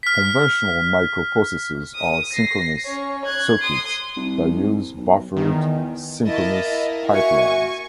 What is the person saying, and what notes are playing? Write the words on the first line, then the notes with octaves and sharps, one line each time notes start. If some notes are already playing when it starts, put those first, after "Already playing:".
Conventional microprocessors are synchronous circuits that use buffered, synchronous pipelines.
F6 B6
D#6
A#6 C7
C#4 C#5
F#6 G#6
C6 D#6
C2
B1
E2 D#3
A#3 E4 D#5 A5
F#4 E5 G#5 C#6